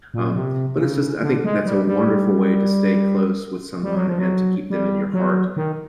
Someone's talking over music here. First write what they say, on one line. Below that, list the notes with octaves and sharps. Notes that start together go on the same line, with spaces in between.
Um, but it's just I think that's a wonderful way to stay close with someone and to keep them in your heart.
A#2
C3
C#3
D3
G#3
G3
G3
G3
F#3
F3
F#3
G3
F#3
D#3